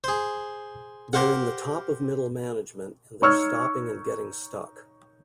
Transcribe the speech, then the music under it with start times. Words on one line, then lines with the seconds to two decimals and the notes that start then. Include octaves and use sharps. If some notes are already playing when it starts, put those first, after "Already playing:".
They're in the top of middle management and they're stopping and getting stuck.
0.04 G#4 C5
1.13 G4 A#4 C5 F5 F#5
3.22 D#4 C#5 C#6 E6 F6 G#6